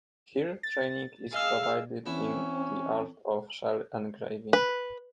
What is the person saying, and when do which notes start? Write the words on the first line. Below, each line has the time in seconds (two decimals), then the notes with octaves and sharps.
Here training is provided in the art of shell engraving.
0.63 A6
1.33 G#4 D#5 F5 E6
2.06 E2 C4 C#4 E4
4.53 B4